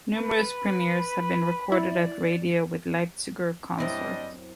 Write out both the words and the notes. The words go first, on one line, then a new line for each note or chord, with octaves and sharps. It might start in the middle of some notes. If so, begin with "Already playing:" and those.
Numerous premieres have been recorded on radio with the Leipziger Consort.
B4 B5
E4 D5
F#2 G3 C4 D4 E4 D#5